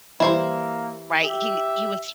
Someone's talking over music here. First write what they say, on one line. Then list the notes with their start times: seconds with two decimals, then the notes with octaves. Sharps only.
right? He he was
0.20 E3 G3 A#3 E4 C5
1.23 G4 E5